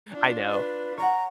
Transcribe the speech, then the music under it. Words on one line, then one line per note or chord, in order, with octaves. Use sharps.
I know.
D4 F4
B4
C#5 F#5 A#5